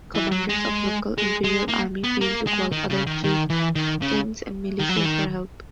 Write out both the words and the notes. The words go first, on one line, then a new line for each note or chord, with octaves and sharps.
Commanders of local imperial army failed to call other chieftains and militia for help.
E3
F#3
G#3
G#3
G#3
A#3
B3
A#3
G#3
D#3
C#3
D#3
D#3
E3
D#3
C#3
D#3
F#3
E3
D#3